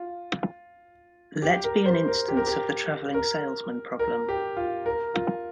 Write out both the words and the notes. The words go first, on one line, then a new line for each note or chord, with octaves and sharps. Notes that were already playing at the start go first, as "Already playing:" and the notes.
Let be an instance of the travelling salesman problem.
Already playing: F4
G4
A#4
C5
A#4
G4
A#4
G4
A#4
A#4
G4
F4
A#4
F4